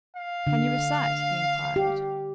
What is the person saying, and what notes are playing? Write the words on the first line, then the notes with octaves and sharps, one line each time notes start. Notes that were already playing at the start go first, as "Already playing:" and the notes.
"Can you recite?" he inquired.
F5
D3
G4